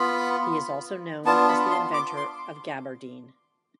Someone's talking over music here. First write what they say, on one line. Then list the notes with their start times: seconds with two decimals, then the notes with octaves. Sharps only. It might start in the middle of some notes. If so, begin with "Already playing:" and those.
He is also known as the inventor of gabardine.
Already playing: B3 F4 B5
1.25 B3 D4 F4 A5
1.49 B5
1.71 C6
1.94 D6
2.17 C6